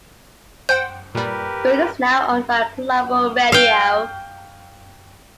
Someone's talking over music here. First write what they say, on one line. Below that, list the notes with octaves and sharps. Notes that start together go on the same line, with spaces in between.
Gold is now owned by Global Radio.
C5 F#5 G5 G6
A#2 G3 G4 A#4 B4
F5 G5